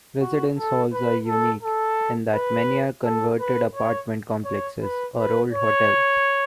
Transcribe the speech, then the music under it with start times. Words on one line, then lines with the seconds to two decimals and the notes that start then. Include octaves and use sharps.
Residence halls are unique in that many are converted apartment complexes or old hotels.
0.21 F#4
0.58 A4
0.93 B4
1.27 A4
1.63 A4
2.34 B4
3.04 A4
3.39 B4
3.75 C#5
4.45 C#5
4.81 B4
5.16 B4
5.51 C#5